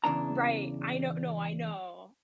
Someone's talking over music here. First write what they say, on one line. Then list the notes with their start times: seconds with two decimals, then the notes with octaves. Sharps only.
Right. I know No, I know.
0.04 E2 C#3 E3 D4 A#5